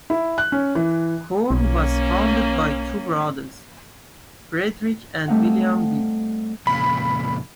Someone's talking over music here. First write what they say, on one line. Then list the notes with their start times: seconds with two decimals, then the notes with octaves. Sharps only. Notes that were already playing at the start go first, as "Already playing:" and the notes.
Quorn was founded by two brothers, Frederick and William B.
0.10 E4
0.38 F#6
0.52 C#4
0.75 E3
1.51 B1 A#3 C#4
5.28 G3 A3 C4 D#4 F5 F#5
6.67 F2 A#2 C#3 B5